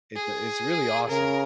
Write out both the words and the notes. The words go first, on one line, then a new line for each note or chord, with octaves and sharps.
It's it's really awesome.
G#4
C#3 A#4